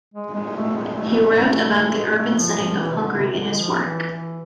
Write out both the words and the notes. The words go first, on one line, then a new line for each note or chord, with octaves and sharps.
He wrote about the urban setting of Hungary in his work.
G#3
G#3
A3
G#3
A3
G#3
A3
F3
F3
E3
C3
D3
C3
C3
D3
G#3
F3
E3
E3